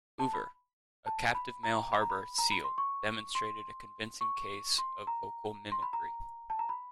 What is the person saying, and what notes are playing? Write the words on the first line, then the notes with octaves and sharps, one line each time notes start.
"Hoover", a captive male harbor seal demonstrated a convincing case of vocal mimicry.
A5
B5
A5
B5
A#5
B5
A#5
B5
A#5
B5
C6
C#6
C6
C#6
C6
A#5
C6
B5
A#5
A5
A#5
B5